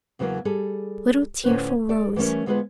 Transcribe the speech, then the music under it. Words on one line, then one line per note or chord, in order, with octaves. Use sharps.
Little tearful rose!
E2 C#3 E3 F#3 A#3 C#4
G3 G#4 A4
A2 D3 C#4 F4 B4 C5
A4 D5
E3 G3 A3 C#4 A#4
D2 G#3 B3 F4 G#4 B4